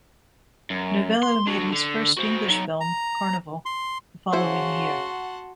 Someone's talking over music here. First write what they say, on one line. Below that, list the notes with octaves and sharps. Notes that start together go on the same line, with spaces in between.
Novello made his first English film, "Carnival", the following year.
F#2
C6
D4 F#4
D3
F#4 C5
F#3 D#4
A#5
C6
C#3 F#3 E4 F#4 C5 F#5 A5 C6